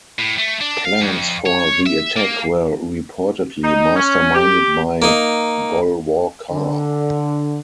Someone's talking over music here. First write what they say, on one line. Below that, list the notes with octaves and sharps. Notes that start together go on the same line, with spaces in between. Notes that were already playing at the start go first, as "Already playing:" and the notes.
Plans for the attack were reportedly masterminded by Golwalkar.
A2
A3
D4
F5
F2
C#5
E5
A#3
D#4
C#4
G4
A#3 D#4
D3